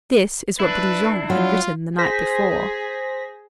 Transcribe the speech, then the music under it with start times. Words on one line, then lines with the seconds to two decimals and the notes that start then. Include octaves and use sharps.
This is what Brujon had written the night before.
0.60 D4 E4 B4
1.30 F#3 F4
1.98 G#4 C5 A#6 B6